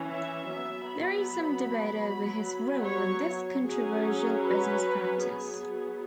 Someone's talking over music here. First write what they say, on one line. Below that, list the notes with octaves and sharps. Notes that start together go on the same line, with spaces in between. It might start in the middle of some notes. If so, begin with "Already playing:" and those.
There is some debate over his role in this controversial business practice.
Already playing: E3 C#4
E5
F#3 B3 E5
B5
F#3 B3
C#5
F#3 C#4 G#4
B4
F#3 B3 G#4